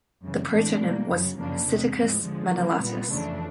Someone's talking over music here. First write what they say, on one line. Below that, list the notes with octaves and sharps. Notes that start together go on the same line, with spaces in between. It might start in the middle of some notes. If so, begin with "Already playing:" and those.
The protonym was "Psittacus manilatus".
F#2 C#3 E3
A2 E3 A3 D4
B2 G3 A#3
F#2 C#3 F#3
F#2 C#3 F3 A#3 D4
E2 C3 D#3 G#3
A2 F3 G#3
D3 F3 G#3
C#3 F#3 A#3
A#2 G3 B3
F2 C#3 E3 A3 D4